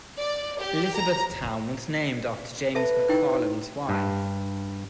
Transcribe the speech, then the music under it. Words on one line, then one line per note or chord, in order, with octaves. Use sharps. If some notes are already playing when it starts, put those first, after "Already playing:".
Elizabethtown was named after James McFarland's wife.
D5
G4
A#5
A4 B4 E5 A5
D#4 E4 G5
G2